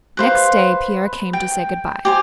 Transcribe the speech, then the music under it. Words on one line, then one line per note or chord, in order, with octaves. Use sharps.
Next day Pierre came to say good-by.
B4 C5 F5
G5
G4 C5 G#5